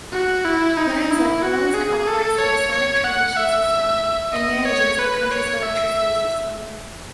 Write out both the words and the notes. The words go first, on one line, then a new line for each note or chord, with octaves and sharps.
Landsnet owns and operates the Icelandic transmission system and manages the country's electricity system.
F#4
E4
D#4
E4
F#4
G#4
A4
C#5
C#5
F#5
E5
D#5
C#5
B4
C#5
E5